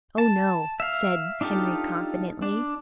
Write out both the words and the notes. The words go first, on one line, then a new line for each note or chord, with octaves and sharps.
"Oh, no," said Henry confidently.
A5
E5 F5
D4 D#4 F4 G4 A4
D4